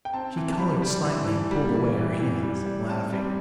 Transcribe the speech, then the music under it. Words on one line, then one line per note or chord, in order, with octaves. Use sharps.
She coloured slightly and pulled away her hands, laughing.
G5
C4 A5
E3
A5
G3 B5
G3
E3
E3
G3
E3
E3
E3
G3
G3
C4 A5
G3